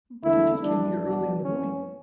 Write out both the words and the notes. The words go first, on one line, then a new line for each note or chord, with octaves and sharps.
But if he came here early in the morning.
E2 D3 A3 E4
F#2 E3 G3 D4
E2 B2 G3 B3 D4
F#2 E3 B3 C#4